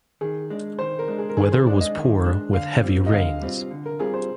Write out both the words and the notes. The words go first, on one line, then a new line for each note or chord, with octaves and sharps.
Weather was poor with heavy rains.
D#3 G#4
G#3 D4
D#3 C5
A#4
G#3 D4
G#4
A#4
D#3 G#4
C5
G#3 D4 D5
D#5
D#3
G#3 D4
D3 F5
G3 C4 F4
D#5
D3 F5
G3 C4 F4
D3
A#4
G3 C4 F4 G#4
C5